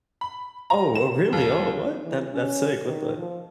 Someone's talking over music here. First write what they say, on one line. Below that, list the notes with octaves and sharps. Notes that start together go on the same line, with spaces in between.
Oh, oh, really, oh, what, that that's sick, what the
B5
A#5
E7
D#2
E3
C#4
D#3
F3